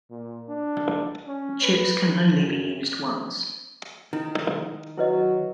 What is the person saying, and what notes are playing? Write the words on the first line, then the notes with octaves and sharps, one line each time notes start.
Chips can be used only once.
A#2
D4
C#4
B4
F#2
D#3 E4
F#3 E4 B4 D#5